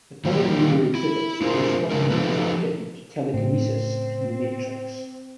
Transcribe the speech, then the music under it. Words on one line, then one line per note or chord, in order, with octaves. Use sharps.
The power Neo exhibits most often is akin to telekinesis in the Matrix.
D#3 G3 A#3 G4
E4
G#3 D4 F4 G#4 A#4 C5
C#3 G#3 D4 A#4
F3 D#4 G4 A4 B4
A2 C#3 C4